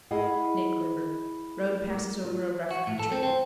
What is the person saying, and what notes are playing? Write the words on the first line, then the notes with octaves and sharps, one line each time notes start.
Snake River.--Road passes over a rough country.
E4 G#4 D#5 F5 F#5
A#3
F4
F#4
A2
A4
C4
C4